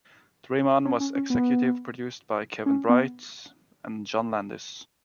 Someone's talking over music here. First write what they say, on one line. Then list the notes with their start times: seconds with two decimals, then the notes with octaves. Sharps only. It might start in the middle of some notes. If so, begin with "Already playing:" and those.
"Dream On" was executive produced by Kevin Bright and John Landis.
0.85 C#4
1.00 C#4
1.15 C#4
1.30 B3
2.66 C#4
2.89 B3